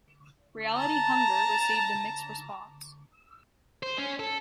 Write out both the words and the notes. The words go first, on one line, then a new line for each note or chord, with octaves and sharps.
"Reality Hunger" received a mixed response.
A5 A#5
C5
C#4
A4